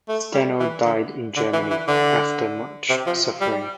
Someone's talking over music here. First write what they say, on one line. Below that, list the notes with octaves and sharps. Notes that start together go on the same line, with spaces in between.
Steno died in Germany, after much suffering.
A3
G3
E3
D3
D3
E3
E3
D3
C3
F3
G3